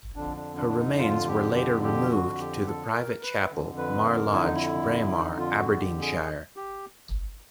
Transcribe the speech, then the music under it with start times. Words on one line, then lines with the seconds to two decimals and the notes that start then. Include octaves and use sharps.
Her remains were later removed to the Private Chapel, Mar Lodge, Braemar, Aberdeenshire.
0.16 F2 D3 D4
0.37 D4
0.57 D4
0.69 D4
0.78 D#4
0.99 F4
1.27 G4
1.55 G4
1.83 G4
2.11 F#4
2.39 G4
2.66 A4
2.94 A#4
3.23 B4
3.50 F2 D3
3.78 B4
4.05 A#4
4.33 E4
4.44 D#4
4.54 E4
5.17 D#4
5.38 F4
5.59 F#4
5.79 G4
6.01 G#4
6.56 G4